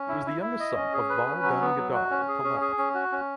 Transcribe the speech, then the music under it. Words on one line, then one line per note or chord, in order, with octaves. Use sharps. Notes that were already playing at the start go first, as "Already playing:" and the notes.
He was the youngest son of Bal Gangadhar Tilak.
Already playing: C#4
E4
E4
E4
D#5
C#4
G#4
B4
C#4
F#3
B3
F#3
F#4
C#4
G#4
C#4
G#4
C#4
F#4
C#4